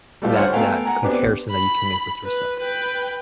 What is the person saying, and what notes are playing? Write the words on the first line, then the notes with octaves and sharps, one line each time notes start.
that that comparison that you can make with yourself
G3 A3 F4 B4
D3 C5 C#5 F#5 C6 F6
A3 B3 A#4 F5 G5 G#5
F#5 G#5 A#5
B3 C4 D4 G4 B4
B5
B4
B4 G5